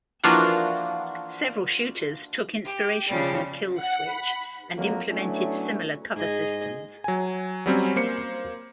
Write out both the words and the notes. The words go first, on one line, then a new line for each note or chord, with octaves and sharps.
Several shooters took inspiration from "Kill Switch" and implemented similar cover systems.
E3 F3 A#3 D4 F4 F#4
G4
C#3 F3 G3
F#5
B5
F2 F#3 A#3
F#3 A3 B3 C#4 D4 E4
G#2 G#4 D#5
F#3 G#5
F#3 G3 C4 C#4
A#3 C5 C#7